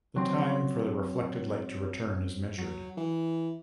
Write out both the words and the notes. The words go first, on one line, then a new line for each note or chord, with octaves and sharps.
The time for the reflected light to return is measured.
F#3 C4
F#3
E3